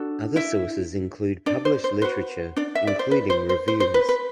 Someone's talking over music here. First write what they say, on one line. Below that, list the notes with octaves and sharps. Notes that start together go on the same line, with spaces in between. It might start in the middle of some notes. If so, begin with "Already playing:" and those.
Other sources include published literature including reviews.
Already playing: D4 F#4 A4
E4 E5
D4 D5
C5
C5
F#4 B4 C5
D4 D5
E5
D5
C5
B4
C5
C5
C5
C5
B4
B4